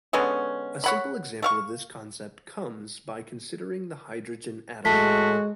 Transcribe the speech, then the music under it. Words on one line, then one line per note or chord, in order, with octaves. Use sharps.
A simple example of this concept comes by considering the hydrogen atom.
D3 G#3 B3 C#4
C#5 F#5 B5
A3 F5 C#6
A2 G#3 F#4 A5 B6